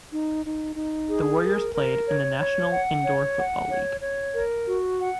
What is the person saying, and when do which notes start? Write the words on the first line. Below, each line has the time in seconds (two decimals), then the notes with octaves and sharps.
The Warriors played in the National Indoor Football League.
0.11 D#4
0.44 D#4
0.76 D#4
1.09 G#4
1.42 A#4
1.74 A#4
2.06 C#5
2.38 C#5
2.71 F#5
3.03 C#5
3.37 F#5
3.69 C#5
4.01 C#5
4.33 A#4
4.67 F#4
4.99 F#5